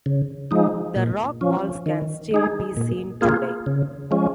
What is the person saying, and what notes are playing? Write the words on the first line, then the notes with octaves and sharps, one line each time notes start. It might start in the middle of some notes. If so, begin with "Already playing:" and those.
The rock walls can still be seen today.
C#3
F3 G#3 D#4
A#2
F3 C#4
D#3
G#3 D#4 G#4
A#2
A#3 F4 G#4
C#3
F3 G#3 C#4